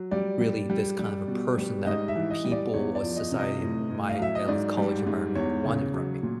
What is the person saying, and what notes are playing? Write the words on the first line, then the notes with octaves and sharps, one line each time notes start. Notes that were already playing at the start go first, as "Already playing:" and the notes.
really this kind of a person that people of society in my at least college environment wanted from me.
Already playing: F#3
G3 D5
G3
G3
G3
B2
G3
G#2 D#5
E5
E3
D#5
G3
D5
E2 C#5
D5
F3
D#5
C3
D#5
A2
A2
F5
F#3 E5
D#5
G#2 D5
G3
G#2
E2 C#5
C#3
F#3
A#2